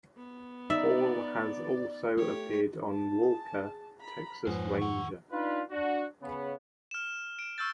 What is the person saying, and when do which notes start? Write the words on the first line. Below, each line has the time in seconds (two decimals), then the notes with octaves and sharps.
Ball has also appeared on "Walker, Texas Ranger".
0.17 B3
0.70 D#4 D5 E5
2.17 A3 G4 C#5
2.91 A5
3.23 G#4
4.00 A#5 B5
4.47 F2 G#2 F3 B3 C5 C#5 G#5
4.78 D#3 F#5 C#6
5.31 D4 D#4 F4 B4
5.71 D4 F#4
6.22 C#3 B3
6.91 F6 E7
7.39 D7 E7
7.58 C#6 E6 F6 G6 A6